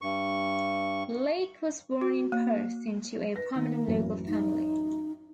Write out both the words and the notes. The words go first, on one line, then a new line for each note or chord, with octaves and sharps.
Leake was born in Perth, into a prominent local family.
G2 C#6
F#4
A#3
B4 A#6
D#3 A#3
A1 F#2 E3
D#4